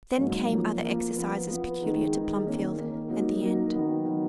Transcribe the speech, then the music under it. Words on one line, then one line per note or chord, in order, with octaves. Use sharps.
Then came other exercises peculiar to Plumfield, and the end.
G#2 F#3 A#3 C#4
F3 A#3 F4
F3 A#3 F4
F3 B3 F4 B4
F3 B3 F4 B4
D#3 G#3 D#4 G#4
D#3 G#3 D#4 G#4
D#3 A#3 C#4
D#3 A#3 C#4
F#3 A#3 D#4 F#4 A#4
F#3 A#3 D#4 F#4 A#4
D#3 F#3 B3
D#3 F#3 B3